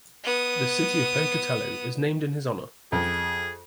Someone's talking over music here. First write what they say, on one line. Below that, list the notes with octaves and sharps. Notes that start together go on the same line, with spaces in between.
The city of Pocatello is named in his honor.
B3 D#6
F2 G#4